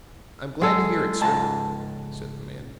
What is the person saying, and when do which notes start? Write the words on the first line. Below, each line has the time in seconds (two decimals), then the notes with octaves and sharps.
"I'm glad to hear it, sir," said the man.
0.61 F#3 G#3 A4
1.21 C#2 G#2 A5